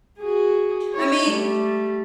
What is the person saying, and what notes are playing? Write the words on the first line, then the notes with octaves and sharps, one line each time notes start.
I mean,
F#4 G#4
E4 C#5
G3 A3